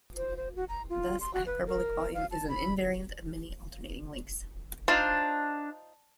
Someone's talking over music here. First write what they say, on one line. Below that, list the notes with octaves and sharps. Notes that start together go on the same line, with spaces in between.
Thus hyperbolic volume is an invariant of many alternating links.
C5
C5
F#4
A#5
F4
C6
F#4
B4
A#4
F5
A5
B5
D4 D#4 F4 C5